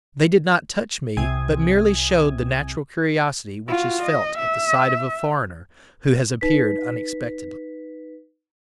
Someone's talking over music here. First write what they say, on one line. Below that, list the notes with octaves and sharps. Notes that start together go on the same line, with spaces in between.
They did not touch me, but merely showed the natural curiosity which is felt at the sight of a foreigner who has appeared unexpectedly.
C2 C3 G#5 D#6 G#6
F4 F#4
D#5
E5
D#4 B4 B6